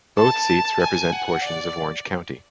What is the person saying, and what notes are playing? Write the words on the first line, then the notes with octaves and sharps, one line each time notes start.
Both seats represent portions of Orange County.
A5
G#5
F#5
D5